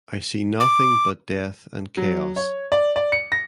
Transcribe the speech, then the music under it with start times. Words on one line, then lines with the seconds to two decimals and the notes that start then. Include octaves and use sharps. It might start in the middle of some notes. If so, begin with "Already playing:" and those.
I see nothing but death and chaos.
0.60 D6
1.97 F#3
2.36 C#5
2.72 D5
2.96 D5
3.12 C#7
3.32 A#6